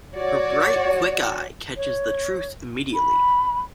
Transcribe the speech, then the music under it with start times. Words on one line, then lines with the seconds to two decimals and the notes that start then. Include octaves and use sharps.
Her bright quick eye catches the truth immediately.
0.15 F#4 C#5 D5
1.76 C#5
2.94 B5